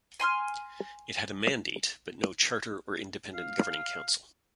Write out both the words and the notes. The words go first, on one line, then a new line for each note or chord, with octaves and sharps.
It had a mandate but no charter or independent governing council.
G#5 C6 E6 F6
F5